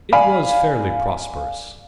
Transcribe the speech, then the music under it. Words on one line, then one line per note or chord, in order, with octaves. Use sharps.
It was fairly prosperous.
D5 F5 G#5 B5